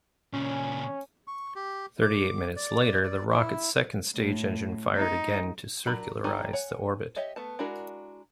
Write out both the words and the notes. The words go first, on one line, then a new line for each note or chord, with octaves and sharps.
Thirty-eight minutes later, the rocket's second-stage engine fired again to circularize the orbit.
A#2 C#3 C#4
C#6
G4
D6
D5
D5
E4
A2
D#4
F#3 D4 A#4 B5
G3 D#4 G4 A4 G#5
C#5 F#5 G#5
G4 C#5 D#5 E5
A3 B3 A5
G#3 D4 E4 F#4 A#4